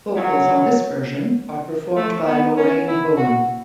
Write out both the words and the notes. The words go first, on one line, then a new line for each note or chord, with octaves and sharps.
Vocals on this version are performed by Lorraine Bowen.
F#3
A3
B3
C#4
E4
F#4